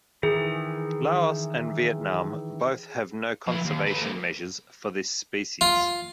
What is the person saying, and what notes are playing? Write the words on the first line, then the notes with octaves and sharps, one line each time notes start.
Laos and Vietnam both have no conservation measures for this species.
D#3 E3 G#4
F3 B4
D#2
A4 B4
A#3 C4
F4